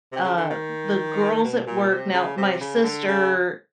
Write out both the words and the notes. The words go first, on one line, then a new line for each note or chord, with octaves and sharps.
uh, the girls at work now my sister
C3
C#3
D3
D#3
B2
A#2
C3
C#3
C3
C#3
D3
C#3